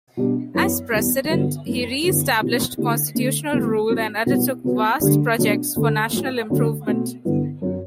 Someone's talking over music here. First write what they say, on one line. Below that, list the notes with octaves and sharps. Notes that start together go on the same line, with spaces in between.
As president, he re-established constitutional rule and undertook vast projects for national improvement.
B2 G3 D4 G4
F#2 E3 B3 E4
E2 C3 G3
G2 D3 F#3 B3
F#2 E3 A3 C4
F#2 D3 F#3 B3 E4
B2 F#3 C4 E4 G4
D3 A3 E4 G4
D3 A3 C4
D2 C3 E3 G3 B3
A2 F#3 C4
C2 B2 F#3 B3 F#4
C3 F#3 B3 F#4
D2 D3 G3 D4 G4
B2 F#3 A3 D4
D2 D3 A3
A2 F#3 A3
D2 D3 F#3 C4
B2 A3 C4 F#4
G2 D3 F#3 B3 E4
F#2 F#3 C4 F#4